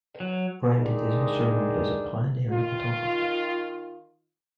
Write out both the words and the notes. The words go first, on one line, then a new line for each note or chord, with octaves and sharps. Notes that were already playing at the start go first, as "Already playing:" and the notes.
Brandt is also remembered as a pioneering photographer.
F#3
D#3 G#3 D4 D#4
D#3 F4